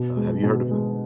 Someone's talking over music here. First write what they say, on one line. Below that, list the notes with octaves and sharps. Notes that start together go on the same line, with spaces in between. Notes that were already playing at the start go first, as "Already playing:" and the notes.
Uh, have you heard of him?
Already playing: B2
G#3
B2
G#3